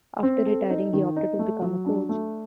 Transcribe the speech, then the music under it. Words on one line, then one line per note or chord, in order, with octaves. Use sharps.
After retiring, he opted to become a coach.
C4
A4
D#4
D#3
D#4
A3
F#3
D4
A3